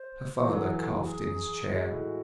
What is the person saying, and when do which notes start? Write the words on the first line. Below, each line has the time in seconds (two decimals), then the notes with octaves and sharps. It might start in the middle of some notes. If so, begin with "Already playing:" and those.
Her father coughed in his chair.
Already playing: C5
0.39 E3 C5
0.51 F#3 A4
0.63 E3 G#4
0.74 A4
0.99 F#4
1.05 G#4
1.69 G#3 F#4
1.91 A2